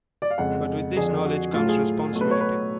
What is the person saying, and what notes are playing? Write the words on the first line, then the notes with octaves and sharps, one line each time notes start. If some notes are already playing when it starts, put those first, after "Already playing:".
But with this knowledge comes responsibility.
D5
F5
F2 C#3 G#3 F#5
F2 D3 F3 G#4
F#4
A2 F#3 A3 F4
G#4
B2 F#3 A3
B4
C#5
B4